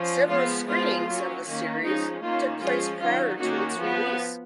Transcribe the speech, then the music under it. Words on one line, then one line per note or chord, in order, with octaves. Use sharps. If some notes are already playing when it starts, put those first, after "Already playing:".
Several screenings of the series took place prior to its release.
Already playing: F3 C#4
F3 G#3 B3 F4
F3 G#3 B3 F4
F#3 A#3 C#4
D#3 A#3 C#4
F3 G#3 C#4 D#4
D#3 A#3 C#4 F4
F3 G#3 C#4 F4
D#3 F#3 C#4 F4
D#3 A#3 C#4 F#4
F3 B3